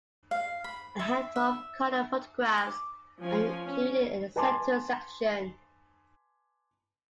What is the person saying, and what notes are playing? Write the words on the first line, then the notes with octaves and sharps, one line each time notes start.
A handful of color photographs are included in a center section.
F5
B5
E5
E5
D6
F3 C#4 G#5
C#4
B4 G#5 A5 C6 D6